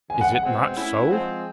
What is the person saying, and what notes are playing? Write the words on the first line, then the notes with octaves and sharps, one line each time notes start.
Is it not so?'
C#3 E3 G#3 G#5
F#5
F#5
B2 G#3 C4 F#5
A3 C#4 E4
F3 G#3 C4